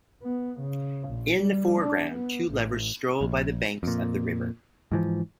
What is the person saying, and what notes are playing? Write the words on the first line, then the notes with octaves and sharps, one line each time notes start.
In the foreground, two lovers stroll by the banks of the river.
B3
C#3
A#1
G3
D4
B3
A1
A#1
F2 A#2
G#2 E3 F3